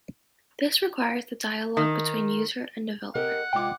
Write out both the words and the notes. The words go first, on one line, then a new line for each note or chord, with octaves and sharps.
This requires the dialogue between user and developer.
D#3
C3 G4 A#4 D#5 F#5
C3 G#3 F4 G5 D6